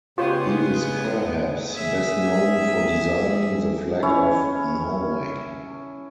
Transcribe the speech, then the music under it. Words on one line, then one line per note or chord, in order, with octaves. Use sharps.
He is perhaps best known for designing the flag of Norway.
C#3 G#3 B3 F4 G4 C5 C#5
G#4 E5
C#4 E4 C#5